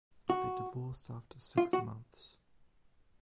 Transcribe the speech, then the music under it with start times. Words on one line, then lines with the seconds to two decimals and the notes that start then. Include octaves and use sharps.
But they divorced after six months.
0.30 F#4
1.58 F4
1.73 F#4